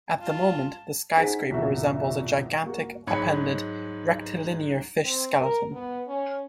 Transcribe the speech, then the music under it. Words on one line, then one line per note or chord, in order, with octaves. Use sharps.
At the moment, the skyscraper resembles a gigantic, upended, rectilinear fish skeleton.
F4 A5
D#4 G#4 C5 F#5 G#5 B6
E1 C2 G2 A#2 F#4 E5
A#3 F#4
G#2 F#3 B5 G#6 C#7
C4
A#4
B3
C#4